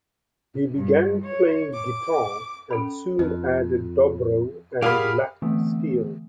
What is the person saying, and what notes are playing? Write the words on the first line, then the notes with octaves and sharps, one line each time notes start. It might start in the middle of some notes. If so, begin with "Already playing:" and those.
He began playing guitar and soon added dobro and lap steel.
G2
C#5
D6
C#4 A4 B5
F2 D#5
G4 G#4 A#4 D5 F5 F#5 B5 F6
D3 E3 A3 B3 C4